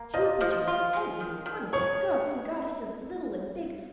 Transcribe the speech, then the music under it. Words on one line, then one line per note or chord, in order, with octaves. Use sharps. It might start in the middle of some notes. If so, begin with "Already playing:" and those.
Jupiter, and every one of the gods and goddesses, little and big!
Already playing: A#3
F3 D#5
F3
F4
G#3
D#3
D#3
G#4 C#5